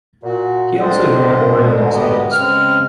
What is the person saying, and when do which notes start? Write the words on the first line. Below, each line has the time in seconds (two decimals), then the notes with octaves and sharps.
He also joined Ory in Los Angeles.
0.23 A#2 F#4
0.79 D3 C4 D4 C5 D#5
1.61 B2 D3 G#3
1.93 B3 G4 D#5
2.32 C#3 G#3 C4 F6